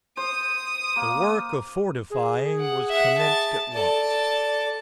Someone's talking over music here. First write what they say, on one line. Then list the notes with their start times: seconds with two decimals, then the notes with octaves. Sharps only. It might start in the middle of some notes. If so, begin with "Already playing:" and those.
The work of fortifying was commenced at once.
0.17 C5 D#6
0.96 A#3
2.10 G#4
2.59 F#5
2.89 E5 F#5
3.17 A5
3.73 A4 D5 A5